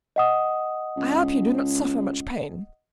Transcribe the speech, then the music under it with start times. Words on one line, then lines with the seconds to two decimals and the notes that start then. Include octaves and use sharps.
"I hope you do not suffer much pain!"
0.16 D#5 F#5 D#6
0.96 C#2